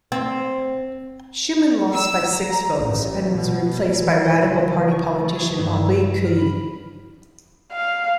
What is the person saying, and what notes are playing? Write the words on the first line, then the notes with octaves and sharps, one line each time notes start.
Schuman lost by six votes and was replaced by Radical Party politician Henri Queuille.
C4
E6
A#5
A1
B2
E3
D#5
F#1
E3
C#6
A3
G#4
G2
E4
E7
F6
B5
F5